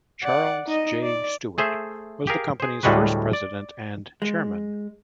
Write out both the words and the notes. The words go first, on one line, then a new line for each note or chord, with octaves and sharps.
Charles J. Stewart was the company's first president and chairman.
D5 F#5
D#4 D#5
D5
A3 G#4 C5 E5
G4 G#4 A#4 F5
G#4 C5
D2 A2 G3 G#3 F#4 B4
D5
G#3